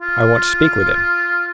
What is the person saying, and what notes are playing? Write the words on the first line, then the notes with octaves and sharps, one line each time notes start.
"I want to speak with him."
F4